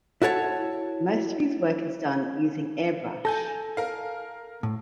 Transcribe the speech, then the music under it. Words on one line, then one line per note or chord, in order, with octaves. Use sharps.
Most of his work is done using airbrush.
E4 F#4 A4 C#5 A5
A4 G#5 G6 A#6
A#4 F5
A2